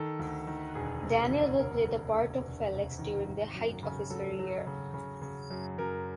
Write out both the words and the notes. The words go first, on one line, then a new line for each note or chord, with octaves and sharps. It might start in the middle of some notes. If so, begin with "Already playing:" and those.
Daniel will play the part of Felix during the height of his career.
Already playing: D#3 A4
D2
D#3
E1 G#4
C3
D2
C3 A#4
E1
C3
E1
C3
D#3
G#1
F#2
C#3
F#3 A4
F#3
C#3
C#3
C#3
F#2
F#2 A#4